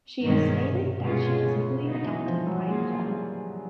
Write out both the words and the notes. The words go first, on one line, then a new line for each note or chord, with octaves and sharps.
She has stated that she was legally adopted by Paul.
G2 B2 D#3 G#3 C#4
C3
B2 G#3 C#4 F4 G#4
C#3
D3 F#3 B3 D#4
E3
F3
F#3
F3 G#3 A#3 C#4 F4 G#4
G3